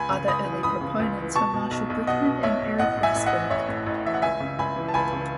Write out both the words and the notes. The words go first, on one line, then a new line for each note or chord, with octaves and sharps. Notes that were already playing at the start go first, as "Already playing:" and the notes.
Other early proponents were Marshall Brickman and Eric Weissberg.
Already playing: C#2 G#5 B5
C#3
C#2 B5 D#6
E3
C#2 B5 D#6
C#3
C#2
E3
B2 A5 C#6
B2
B1
B1
B2 D#5 F#5
B2
B1 C#5 E5
B1
A1 D#5 F#5
A2
E5 G#5
A1
D#5 F#5
E3
A1 C#5 E5
A2
A1
E3 E5
F#5
C#2 E5 G#5
C#3
C#2 G#5 B5
E3
A5
C#2 G#5 B5
C#3